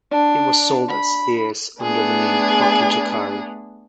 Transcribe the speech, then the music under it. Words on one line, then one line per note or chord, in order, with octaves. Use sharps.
It was sold at Sears under the name Hockey Jockari.
D4
B5
A3 B3 D4 G#4